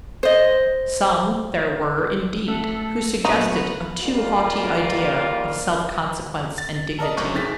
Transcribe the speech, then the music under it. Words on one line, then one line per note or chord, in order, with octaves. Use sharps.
Some there were, indeed, who suggested a too haughty idea of self-consequence and dignity.
C5 D#5
A3 A4 F#5
A#1 F#3 A3 B3 C#4 D#4 F#4 B4
G#2 G3 A#3 F4
A6
A4 A#4 D5 D#5
G1 F#2 C3 C#6
D1 D#3 G#4 A6 B6